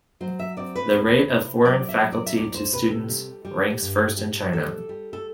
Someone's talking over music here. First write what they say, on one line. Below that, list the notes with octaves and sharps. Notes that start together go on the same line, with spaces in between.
The rate of foreign faculty to students ranks first in China.
F#3 C5
E5
C4 D5
B4
D2
C3
F#3 D5
E5
F#3
D5
E5
D2 D5
C5
C3 B4
A4
G3
G3
G2
G3
G3 A4
G3
A4